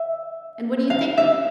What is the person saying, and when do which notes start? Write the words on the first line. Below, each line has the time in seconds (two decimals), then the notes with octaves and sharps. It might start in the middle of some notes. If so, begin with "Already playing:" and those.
And what do you think?
Already playing: E5
0.90 F5
1.18 E5